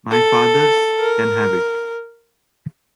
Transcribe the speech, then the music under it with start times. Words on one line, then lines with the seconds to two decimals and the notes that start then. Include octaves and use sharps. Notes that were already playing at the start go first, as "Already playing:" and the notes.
My fathers can have it!
0.11 A4
0.99 A#4